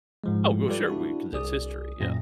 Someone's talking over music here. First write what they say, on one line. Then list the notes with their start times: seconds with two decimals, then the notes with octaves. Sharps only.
Oh, well, sure, we 'cause it's history, yeah.
0.24 G#2 F3 G#3
0.68 G3 F4 G4 A4 B4 D5
0.88 D4 E4 F#4
1.33 C2 G#4 D5 D#6
2.00 F#2 A#2 A#6